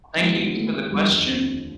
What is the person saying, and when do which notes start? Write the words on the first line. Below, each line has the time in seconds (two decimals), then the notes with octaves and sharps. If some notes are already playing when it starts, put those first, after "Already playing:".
Thank you for the question.
0.16 F#2 D#3 F3 G#3 B3 E4
0.55 A3
0.91 F1 D#2 D3 F3 G3
1.28 C4